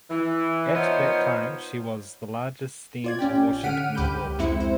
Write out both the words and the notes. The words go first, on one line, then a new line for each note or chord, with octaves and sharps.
At that time she was the largest steam warship in the world.
E3
F3 B3 D#4 C5 C#5 D#5
F4 D5 G#6
A1 C#4 G4 G5
D3 F#5 F6 B6 D7 D#7
C#2 G4 B5 G6 D#7
F2 G#3 C4 E4 E5 C#7
C5